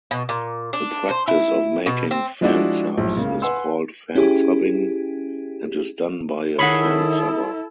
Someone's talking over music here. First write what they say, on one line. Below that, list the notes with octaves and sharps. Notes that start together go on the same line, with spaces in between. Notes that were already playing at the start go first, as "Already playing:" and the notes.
The practice of making fansubs is called fansubbing and is done by a fansubber.
B2
A#2
D4
C5
E4
B2
C4
F3 G#3 D4 E4 F#4 D5
A#1 F#2 A2
C#2 C#3 A#3
B4 F#5 G#5 C6 E6
C#4 E4 G4 G#4
D#3 E4 G#4 A4 C#5 F#5 B5